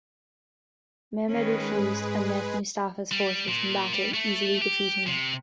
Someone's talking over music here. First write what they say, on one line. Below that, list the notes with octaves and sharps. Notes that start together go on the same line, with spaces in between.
Mehmed refused and met Mustafa's forces in battle, easily defeating them.
D#3 G#3 C#4 G#4 B4
G#2
G3
A#2
G3
A3
G4
C3